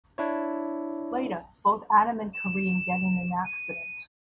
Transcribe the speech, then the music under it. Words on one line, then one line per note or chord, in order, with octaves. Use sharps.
Later, both Adam and Kareem get in an accident.
D4 E4 C#5
E7
D#7